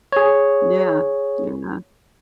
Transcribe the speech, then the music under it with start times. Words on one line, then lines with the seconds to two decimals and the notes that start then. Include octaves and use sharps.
Yeah, yeah.
0.12 G#4 C#5